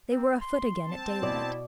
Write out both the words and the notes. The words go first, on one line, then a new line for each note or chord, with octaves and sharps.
They were afoot again, at daylight.
C4
C6
C4 A5
B2 E4 D5